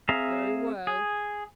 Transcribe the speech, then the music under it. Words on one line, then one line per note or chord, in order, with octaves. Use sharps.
Very well.
C4 G#4 E5 F5 A#5
G#4